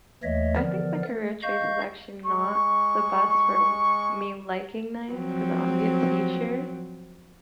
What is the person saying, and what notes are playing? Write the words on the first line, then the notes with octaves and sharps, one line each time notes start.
I think my career choice is actually not the best for w me liking nights, 'cause I wanna be a teacher,
D#2 E3 A3 C#5 D#5 E5
D3 E3 F3 B3 A#4 D5
A3
D#5 F5 C#6 G6
G#3 C#6
F3 F#3 C4